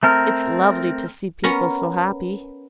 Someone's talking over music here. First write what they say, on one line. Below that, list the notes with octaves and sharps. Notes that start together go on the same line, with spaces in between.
It's lovely to see people so happy.
A3 C4 A#4
B3 C#4 A#4